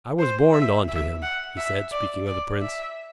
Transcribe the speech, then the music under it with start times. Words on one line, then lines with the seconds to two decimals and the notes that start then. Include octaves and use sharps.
"I was borned on to him," he said, speaking of the Prince.
0.19 C5
0.53 E5
0.88 E5
1.22 F#5
1.57 E5
1.92 D5
2.27 D5
2.62 E5